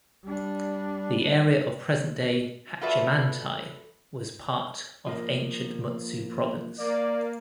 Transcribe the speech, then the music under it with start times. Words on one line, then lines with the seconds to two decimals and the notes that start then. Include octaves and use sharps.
The area of present-day Hachimantai was part of ancient Mutsu Province.
0.24 G3 D4
2.81 F4 F#4 A4 B4 D5 E5
5.07 F3 A#3
6.78 A#3 D5